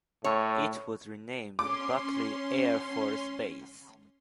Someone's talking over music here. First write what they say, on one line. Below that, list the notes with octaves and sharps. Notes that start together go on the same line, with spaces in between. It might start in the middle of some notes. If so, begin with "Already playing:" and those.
It was renamed Buckley Air Force Base.
A2 C#5
C#4 C6 D6